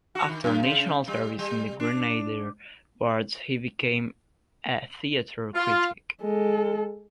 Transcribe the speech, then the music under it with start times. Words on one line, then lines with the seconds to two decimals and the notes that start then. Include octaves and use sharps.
After National Service in the Grenadier Guards he became a theatre critic.
0.15 F#4
0.29 D#3
0.44 F#2
0.63 C#3
1.08 G3
1.39 G3
1.80 D4
5.54 F4
6.22 G#3 A4